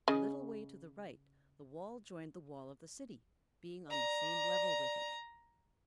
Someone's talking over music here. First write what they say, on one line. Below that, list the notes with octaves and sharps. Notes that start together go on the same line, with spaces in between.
A little way to the right the wall joined the wall of the City, being on the same level with it.
C#3 D#5
D5 A#5